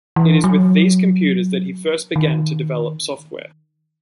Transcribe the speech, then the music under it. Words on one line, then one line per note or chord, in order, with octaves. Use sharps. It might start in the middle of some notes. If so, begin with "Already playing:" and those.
It is with these computers that he first began to develop software.
E3
F#3
D#3